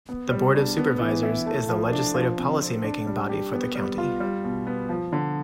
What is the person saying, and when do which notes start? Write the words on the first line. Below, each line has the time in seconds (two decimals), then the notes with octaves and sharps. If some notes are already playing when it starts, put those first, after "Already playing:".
The Board of Supervisors is the legislative policy making body for the County.
0.09 B3
0.31 G3
0.55 D4
0.77 B3
1.00 E3
1.23 E4
1.46 A3
1.69 F3
1.92 D4
2.15 F3
2.38 C3
2.61 C4
2.84 D4
3.07 G3
3.29 G4
3.52 B3
3.75 G3
3.98 F4
4.20 G3
4.44 B2
4.67 B3
4.89 F3
5.13 D3